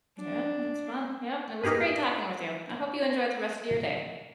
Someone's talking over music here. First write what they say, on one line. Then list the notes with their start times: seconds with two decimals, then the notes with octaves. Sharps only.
Yeah, that's fun, yep, and it was great talking with you, I hope you enjoy the rest of your day.
0.18 D4
1.64 A#3 D#4 G4 G#4 B4